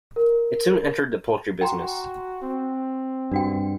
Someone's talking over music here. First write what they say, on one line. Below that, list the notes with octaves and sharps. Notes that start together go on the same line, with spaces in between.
It soon entered the poultry business.
A#4
F#4 G5 A#5 C6
C4
G2 D4 F#4 G5